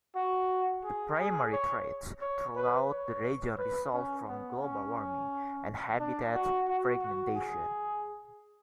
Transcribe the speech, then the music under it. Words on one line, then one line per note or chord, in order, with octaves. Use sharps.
The primary threats throughout the region result from global warming and habitat fragmentation.
F#4
G#4
G#4
C#5
C#5
B4
C#5
B4
C#4
B3
C#4
D4
F#4
F#4
F#4
G#4